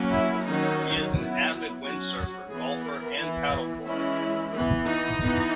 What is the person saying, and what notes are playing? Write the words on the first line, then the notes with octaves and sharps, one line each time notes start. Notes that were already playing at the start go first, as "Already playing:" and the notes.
He is an avid windsurfer, golfer and paddleboarder.
Already playing: F#3 A#3 C#4
E4
D#3 F#3 C#4 D#4
F#3 B3 E4
F#3 C#4 F#4
E3 B3 G#4
A#4
E3 B3 E4
E3 G#3 C#4 E4
E3 B3
D#4
E3 B3